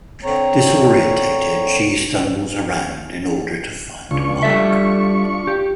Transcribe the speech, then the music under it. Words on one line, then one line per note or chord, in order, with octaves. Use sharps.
Disoriented, she stumbles around in order to find Marc.
D3 C4 C#5 A#5
C#2 D4 F4 C#6
G3 A4 E5
G4